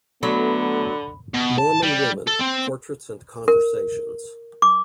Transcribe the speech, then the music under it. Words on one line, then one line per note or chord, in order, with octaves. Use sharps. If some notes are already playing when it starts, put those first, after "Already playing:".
Mormon Women: Portraits and Conversations.
D3 F#3 A3 B3 B5
B2
A5
G3
A4
C4
A#4
D6